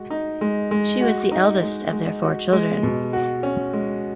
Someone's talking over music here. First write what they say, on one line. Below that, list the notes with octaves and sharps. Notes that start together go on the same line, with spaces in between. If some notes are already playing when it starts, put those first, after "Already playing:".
She was the eldest of their four children.
Already playing: G#3 F#4
D#4
G#3
G#3
F#4
D#4
G#3
G#3
F#4
G#3
B2
F#4
C#4
G#3